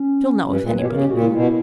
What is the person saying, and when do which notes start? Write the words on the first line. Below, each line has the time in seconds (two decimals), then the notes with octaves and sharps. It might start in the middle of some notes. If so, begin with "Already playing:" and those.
She'll know if anybody will.
Already playing: C#4
0.47 G2 C#4
0.57 B4
0.62 A#2
0.68 B4
0.76 B2 C#5
0.85 G4
0.90 C#3 A#4
1.00 G4
1.11 A#2 F#4
1.22 E4
1.32 B2 E4